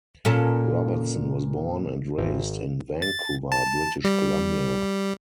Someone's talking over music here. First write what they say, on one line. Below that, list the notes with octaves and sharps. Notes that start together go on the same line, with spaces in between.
Robertson was born and raised in Vancouver, British Columbia.
A#2 C#4 A4
G#1
A6
A5
G3